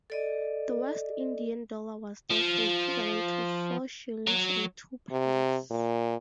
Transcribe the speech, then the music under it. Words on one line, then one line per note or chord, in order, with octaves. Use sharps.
The West Indian dollar was therefore equivalent to four shillings and two pence.
A4 D5 D#5
F3
F#3
C3
A#2